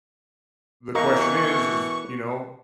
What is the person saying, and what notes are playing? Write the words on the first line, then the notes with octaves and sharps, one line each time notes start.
The question is is you know,
B2 E3 A#4 D#5 F5 C#6